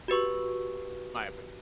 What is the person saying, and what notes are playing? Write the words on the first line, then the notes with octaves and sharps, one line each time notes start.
That's just my opinion.
F#4 G4 B4 C#6